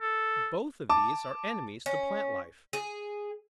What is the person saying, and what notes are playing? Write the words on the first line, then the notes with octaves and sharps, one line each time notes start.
Both of these are enemies to plant life.
A4
A5 D6
C#4
G#4